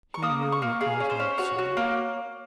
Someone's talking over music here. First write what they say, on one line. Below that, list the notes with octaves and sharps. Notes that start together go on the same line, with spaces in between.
He knew it was not so.
C#6
A#3 D#6
A#3
C#6
A#3
G#4 F5
C#4
C5
C#4
F#4 C#5
F#4
A#3